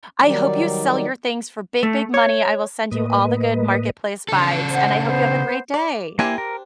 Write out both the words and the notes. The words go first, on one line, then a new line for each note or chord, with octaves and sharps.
I hope you sell your things for big, big money. I will send you all the good marketplace vibes, and I hope you have a great day.
D#3 F#3 G3 D#4 D5
A3
C#5
A2 A#3 B4 D#5
C#3 A4
C5 F#5
B3 C5
D5
A#3 D4 E4 G4 C5 G#5
A#4